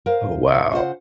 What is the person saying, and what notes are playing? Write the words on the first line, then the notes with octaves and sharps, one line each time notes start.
Oh, wow.
A#4 C5 F5
C#3 F4 C5 F#5